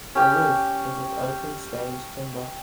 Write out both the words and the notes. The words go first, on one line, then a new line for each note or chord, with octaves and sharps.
The roof is of open stained timber.
C#4 G4 G5